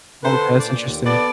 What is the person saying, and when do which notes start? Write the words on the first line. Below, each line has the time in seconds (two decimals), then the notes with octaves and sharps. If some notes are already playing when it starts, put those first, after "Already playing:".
Okay, that's interesting.
0.23 D3 A4 B4 C5
0.59 A#2 D5
0.85 D#2
1.05 B3 A4 D5